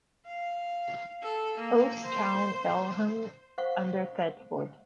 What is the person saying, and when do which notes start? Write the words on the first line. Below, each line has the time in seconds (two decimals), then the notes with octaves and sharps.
Post Town, Elmham, under Thetford.
0.26 F5
1.22 A4
1.57 A#3
2.05 C5
3.58 C5 F5 F#5 C#6